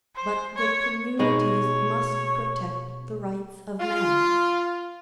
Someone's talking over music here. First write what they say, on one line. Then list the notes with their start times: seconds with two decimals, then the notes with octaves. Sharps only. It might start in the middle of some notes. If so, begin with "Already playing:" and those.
But the communities must protect the rights of man.
0.15 C5
0.56 C#5
1.19 B2 G#3 D#4 C#5
3.80 F4